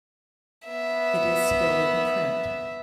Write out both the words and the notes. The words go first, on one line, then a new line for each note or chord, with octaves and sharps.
It is still in print.
B3 E5